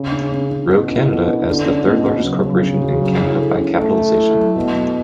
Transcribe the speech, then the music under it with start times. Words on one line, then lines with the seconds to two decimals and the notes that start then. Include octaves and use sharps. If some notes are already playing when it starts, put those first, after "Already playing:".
Roe Canada as the third largest corporation in Canada by capitalization.
Already playing: C#3 C#4
0.12 C#4
0.32 C#4
0.50 C#4
0.69 B2 C#4
0.88 E4
1.08 B2 A4
1.27 C#4
1.46 D3 C#4
1.66 C#4
1.85 B2 C#4
2.05 C#4
2.24 C#3 F#3
2.44 F#3
2.63 C#4
2.82 F#4
3.01 F#3
3.21 E4
3.40 A4
3.59 C#4
3.79 A3 E4
3.98 E4
4.17 E4
4.36 F#3
4.56 B2 B3
4.75 B3